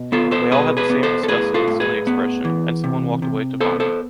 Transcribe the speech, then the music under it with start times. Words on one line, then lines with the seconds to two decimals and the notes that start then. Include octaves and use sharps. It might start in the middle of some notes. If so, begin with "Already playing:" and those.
They all had the same disgusted and silly expression, and someone walked away to vomit.
Already playing: B2
0.12 B3 F4 A4
0.31 A4 C5
0.51 B2 G#4 B4
0.77 G#4 B4
0.90 B3
1.03 A4 C5
1.23 A4
1.28 A2 G#4 B4
1.54 F4 A4
1.68 A2
1.80 G#4 B4
2.07 B3
2.45 E3
2.84 C3
3.22 C3
3.61 B3 A4 C5
3.80 A4 C5